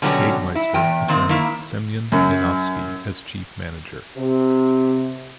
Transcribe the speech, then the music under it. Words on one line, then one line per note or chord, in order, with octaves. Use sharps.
Hagemeister appointed Semyon Yanovsky, as Chief Manager.
B2 D3 F#3 G3 C#4 F#4
E4
E2 G5
A#2 D#3 C4
D#3 A#3 E4
F#2
C3